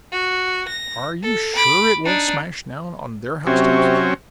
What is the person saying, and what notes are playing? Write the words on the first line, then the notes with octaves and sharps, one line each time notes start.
Are you sure it won't smash down on their housetops?
F#4
A#6
A4
B5 D6
D4 D#4
C3 F#3 C4 C#4